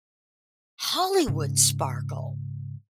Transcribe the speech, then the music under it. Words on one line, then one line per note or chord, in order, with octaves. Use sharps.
Hollywood sparkle.
G#2 C#3